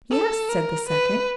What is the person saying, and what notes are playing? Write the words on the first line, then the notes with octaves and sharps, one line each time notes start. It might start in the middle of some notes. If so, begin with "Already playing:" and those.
"Yes," said the second.
A4
A#4
B4